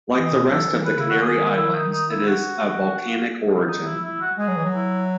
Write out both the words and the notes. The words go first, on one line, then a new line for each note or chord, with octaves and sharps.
Like the rest of the Canary Islands, it is of volcanic origin.
E3 D#5
B2
F#3 A4
E3
D#3 B4
C#3 E4
D#3 F#4
G#4
E4
D#4
D#4
E4
F#4
D#4
E4
E4
F#4
G#3 G#4
F#3
E3
F#3
E4